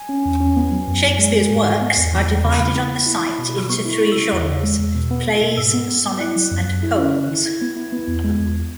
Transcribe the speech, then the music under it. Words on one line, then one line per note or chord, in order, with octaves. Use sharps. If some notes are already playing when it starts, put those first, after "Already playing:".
Shakespeare's works are divided on the site into three genres: plays, sonnets, and poems.
Already playing: G#5
C#4
E2
C#4
B3
F#3
F#2
F#2
G#3
G#3
G#2
G#2
B3
E2
E3
E2
C#3 B5
C#3
B3
B3
E4
E4
B2
B2
B3 C#6
E4
C#6
E4
C#3 E6
E2
E2
G#3
E2
B2
B3
B3
B2
G#2 E6
B3
B3
B3
E4 F#6
F#3
F#2
F#2
E4
C#4
E4
E4
E4 G#6
B3
E4
B3
E2
G#3
E2